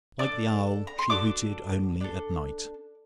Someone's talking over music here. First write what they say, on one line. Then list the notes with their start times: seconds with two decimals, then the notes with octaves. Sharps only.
Like the owl, she hooted only at night.
0.19 D4 A4 D5 D6
0.87 A#5
0.99 C6
1.10 D4 F#4 A4 D5 D6
2.01 D4 A4